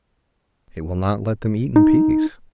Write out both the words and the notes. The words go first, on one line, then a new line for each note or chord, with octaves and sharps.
It will not let them eat in peace.
D#4